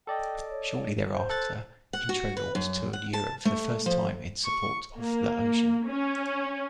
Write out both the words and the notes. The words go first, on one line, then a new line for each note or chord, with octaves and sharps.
Shortly thereafter Intronaut toured Europe for the first time in support of The Ocean.
A4 D5 D#5 G5
C#5
C5
A4 F#6 A6
F#5
F#4
B4
F#2
F#5
A5
A3
F3
C#6
A#3
C#4